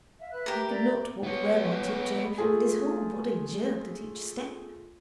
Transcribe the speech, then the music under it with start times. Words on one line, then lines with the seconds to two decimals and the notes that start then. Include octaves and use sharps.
He could not walk well on tiptoe and his whole body jerked at each step.
0.19 E5 F5
0.31 B4 E5 F#6
0.46 G4 A#4
0.68 D5 E5 A#5
1.23 B3 C#5
2.38 A3 F4 G#4